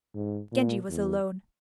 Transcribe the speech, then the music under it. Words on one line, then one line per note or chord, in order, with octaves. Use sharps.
Genji was alone.
G#2
A#2
E2